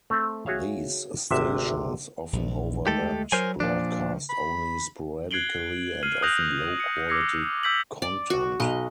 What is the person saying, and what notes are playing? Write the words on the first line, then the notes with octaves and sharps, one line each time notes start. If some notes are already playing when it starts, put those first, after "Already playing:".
These stations often overlapped, broadcast only sporadically and often low-quality content.
A3 C4
F#4 G#4 C#5 E5 F5
G#1 D2 C3 E5
A#1
D2 G#3 A3 G4 A4
F#3 A#4 C5 G#5
A#2 F3 D4
B5
F#6 G#6 C7 D7 F#7 G7
F6 C7 D#7 F#7
D#6 F#6 G6 A#6 F7 F#7
C#7
D6 E6 G#6 A#6 C7 C#7
D6 E6 G6 B6 D7 F#7
D5
F#4
B1 D#5